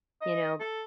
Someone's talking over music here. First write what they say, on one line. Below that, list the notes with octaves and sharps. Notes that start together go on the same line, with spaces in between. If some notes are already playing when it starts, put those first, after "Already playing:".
you know,
D#5
A4